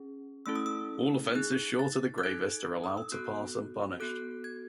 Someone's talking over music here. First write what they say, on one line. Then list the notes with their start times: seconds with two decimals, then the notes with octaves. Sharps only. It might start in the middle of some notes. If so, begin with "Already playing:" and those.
All offenses short of the gravest are allowed to pass unpunished.
Already playing: C#4 G#4
0.46 A3 C#4 E4 A4 E6
0.56 D#6
0.66 E6
1.35 D#4 G#4 F#6
1.79 A6
2.18 F#6
2.23 D#4 A4 G#6
2.84 D#6
2.97 E6
3.12 B3 F#4 A4 F#6
4.00 B3 F#4 A4 F#6
4.44 G#6